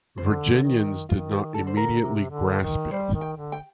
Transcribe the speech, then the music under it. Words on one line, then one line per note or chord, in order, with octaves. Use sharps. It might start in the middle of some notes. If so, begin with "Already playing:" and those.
Virginians did not immediately grasp it.
D3 C5
D#3
D#3 F4
G4
D3 A4
C5
A#4
C3
D3
D#3
G3 C5
D#3
G5
D3
G5